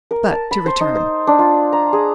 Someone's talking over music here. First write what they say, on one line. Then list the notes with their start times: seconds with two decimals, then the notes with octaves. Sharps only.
But to return.
0.11 A#4
0.31 A5
0.51 B5
0.66 C5
0.80 D#4
0.95 C5
1.27 D4
1.39 F4
1.72 A#5
1.93 G#4